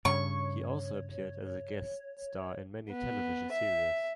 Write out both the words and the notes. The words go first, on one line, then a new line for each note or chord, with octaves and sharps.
He also appeared as a guest star in many television series.
G2 C#3 C#5 C#6
B3
E5